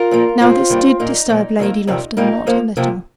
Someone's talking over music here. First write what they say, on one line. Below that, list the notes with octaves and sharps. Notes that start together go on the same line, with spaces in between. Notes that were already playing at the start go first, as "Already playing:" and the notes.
Now this did disturb Lady Lufton not a little.
Already playing: F4 A#4
A#2 F3 A#3
A#2 A#3 C4 F4
G2 D#3 G3 A#3
A#2 A#3 D#4
A#2 F3 A#3
F2 D#3 G3 A#3
F2 C3 D#3 G3
A#2 G3 A#3 D#4
F2 F3 A#3
C3 F3 A#3